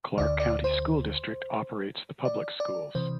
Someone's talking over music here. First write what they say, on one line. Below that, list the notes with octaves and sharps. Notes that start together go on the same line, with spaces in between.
Clark County School District operates the public schools.
D2 D3 D5
D5
C5
D5
D5
C3 E3 C5